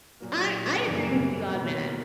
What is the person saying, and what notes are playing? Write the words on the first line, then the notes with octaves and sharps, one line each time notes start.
I I agree with you on that,
A#2 F#3 A#3
F#2 C#3 E3 G3 A#3 D5
A#4
B2 A#3 B4
C#5
A#4